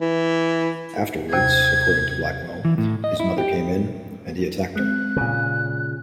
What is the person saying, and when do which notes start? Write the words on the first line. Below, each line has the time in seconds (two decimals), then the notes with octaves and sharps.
Afterwards, according to Blackwell, his mother came in, and he attacked her.
0.01 E3
1.33 D#2 C3 C5 G#6
2.65 E3
2.78 A2
3.04 D#5
3.20 E4
3.38 G4
4.76 G#3 C4 F#6
5.16 A#2 C#3